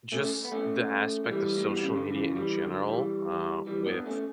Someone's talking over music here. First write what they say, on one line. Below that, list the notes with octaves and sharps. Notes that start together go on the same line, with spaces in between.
just, the aspect of social media in general, uh, with
A3 C#4
B3
A3 C#4
A3
E3 G3
A2
B2
C#3
D3
C#3 E3
E3 G3
D3 F#3
E3 G3
E3 G3
B3 D4
A3 C#4